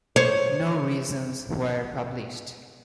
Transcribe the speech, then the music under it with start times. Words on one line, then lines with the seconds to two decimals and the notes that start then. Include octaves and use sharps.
No reasons were published.
0.16 C5 C#5